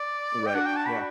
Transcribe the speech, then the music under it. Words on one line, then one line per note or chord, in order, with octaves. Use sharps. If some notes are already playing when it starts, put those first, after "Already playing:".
Right, yeah.
Already playing: D5
G5
D4 F#4 F#5
G5
A5
B5